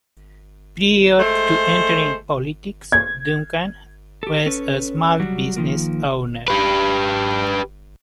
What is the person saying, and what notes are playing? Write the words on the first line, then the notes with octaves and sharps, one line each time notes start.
Prior to entering politics, Duncan was a small business owner.
G#3 A3 C5
G#6
G4 A4
C#4 A4 B4 C#5
F#3 G3 F#4
D#3 F3 A#3
G4 B4